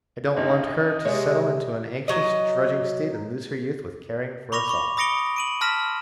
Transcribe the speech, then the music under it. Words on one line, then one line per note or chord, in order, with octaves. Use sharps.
I don't want her to settle into an anxious, drudging state and lose her youth with caring for us all.
A1 D3 D#4 D#5
C3 G#3 C#5 E5
F#3 D#5
B5 C#6 D6 A#6 F7
B5 C#6 D6
B5 D#6 A#6 C#7 D7 G7
D7 D#7 F#7
A5 C6 F6 A#6 B6 E7